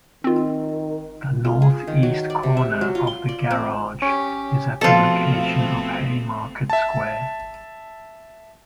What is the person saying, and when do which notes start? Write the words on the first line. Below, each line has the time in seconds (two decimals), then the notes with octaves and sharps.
The northeast corner of the garage is at the location of Haymarket Square.
0.24 D#3 C4 F4
1.45 F4
1.62 G#4
1.87 D#3
2.03 F#3
2.30 D5
2.43 C3
2.57 E5
2.81 F#3
2.95 F4
3.07 C6
3.29 D5
3.51 C4
4.02 C#4 G4
4.81 B2 F3 A3 B3 C4 F4 A4
6.70 E5 A5